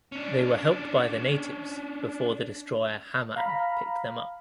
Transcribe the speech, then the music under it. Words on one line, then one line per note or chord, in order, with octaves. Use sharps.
They were helped by the natives before the destroyer "Hammann" picked them up.
C#4 D4
F5 A#5 B5